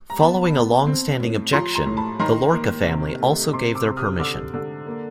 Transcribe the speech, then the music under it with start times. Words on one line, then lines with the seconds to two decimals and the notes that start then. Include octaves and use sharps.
Following a long-standing objection, the Lorca family also gave their permission.
0.10 A#5
0.20 B3 A5 B5
0.53 B3
0.87 C4
1.20 A2
1.53 F3 A#5 C6
1.75 A#5 C6
1.86 A2
1.97 A5 B5
2.19 D#3 A#5 C6
2.52 A#3
2.86 C3
3.20 A3
3.53 C3 C6 D6
3.75 D6 E6
3.87 C3
3.97 D#6 F6
4.19 D3 D6 E6
4.54 D3
4.87 A#3